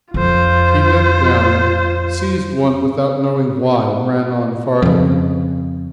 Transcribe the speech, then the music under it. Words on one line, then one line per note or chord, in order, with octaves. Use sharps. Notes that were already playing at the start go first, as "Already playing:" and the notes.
He bent down, seized one without knowing why, and ran on farther.
F2 F4 C5
F2 C#3